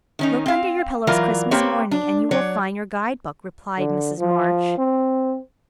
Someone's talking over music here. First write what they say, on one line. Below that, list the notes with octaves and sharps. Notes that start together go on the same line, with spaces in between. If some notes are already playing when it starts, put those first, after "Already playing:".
"Look under your pillows Christmas morning, and you will find your guidebook," replied Mrs. March.
D#3 C#4 D#4
C4 F5
E3 F#3 F4 A#4 D5
A#3 C4 G4 B4 C#5
D4
F#3 C#5 D5
D3
F3
C4